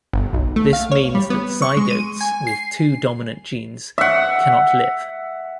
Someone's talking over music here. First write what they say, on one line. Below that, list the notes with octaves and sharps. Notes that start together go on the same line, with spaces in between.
This means that zygotes with two dominant genes cannot live.
G1
B1
A3
F5
C#5
G3
B3
C#6
G#3
D#7
G#5
C7
E5 F#5